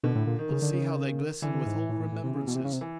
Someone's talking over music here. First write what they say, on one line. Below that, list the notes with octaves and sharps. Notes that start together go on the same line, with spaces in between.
But see how they glisten with old remembrances!
B2 D3
A2
A#2
D#3
C#3
D3
C#3
D3 E3
D3
G#2
A2
A2
A2
A2
C3
C#3
B2
C3
C#3
C3
E3